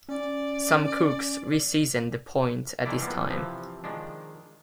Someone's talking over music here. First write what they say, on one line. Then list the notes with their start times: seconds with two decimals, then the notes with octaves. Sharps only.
Some cooks re-season the point at this time.
0.09 C#4 D5
2.85 D#3 G#3 A#3 D4 E4 D5
2.98 C3 E3 F3 G3 A#3 B3
3.30 C3 E3 F3
3.84 D#3 F3 G#3 D4